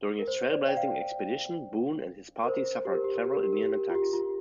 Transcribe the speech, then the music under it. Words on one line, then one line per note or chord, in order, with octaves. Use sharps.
During this trail-blazing expedition, Boone and his party suffered several Indian attacks.
A#4
C5
D5
G5
F5
A#4
C5
G4
A#4
G4
A#4
G4
A#4
G4
A#4
G4
F4
G4
F4